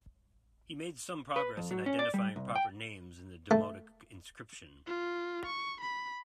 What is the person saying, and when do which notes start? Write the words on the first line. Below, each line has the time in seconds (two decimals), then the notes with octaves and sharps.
He made some progress in identifying proper names in the demotic inscription.
1.36 B4
1.57 F2
1.71 F#3
1.86 C#4
1.99 D5
2.14 G3
2.36 C2
2.55 G5
3.51 A3
4.86 F4
5.46 C#6
5.81 B5